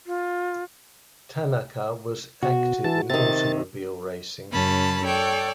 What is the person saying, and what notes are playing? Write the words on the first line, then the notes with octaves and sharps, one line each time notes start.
Tanaka was active in automobile racing.
F4
B2 F#4
E3 A5
C3 D#3 A6
F#2 C#3 C#4 A5 B5
A4 C#5 D5 G5